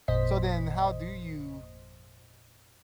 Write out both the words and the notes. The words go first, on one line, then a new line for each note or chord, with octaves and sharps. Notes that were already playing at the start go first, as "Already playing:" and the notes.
So then how do you
G#1 F2 A#2 C5 D#5 B6